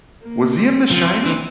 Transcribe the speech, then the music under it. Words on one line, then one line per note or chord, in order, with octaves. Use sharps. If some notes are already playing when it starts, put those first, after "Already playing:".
Was he in The Shining?
A#3
C4
F3 C4
E3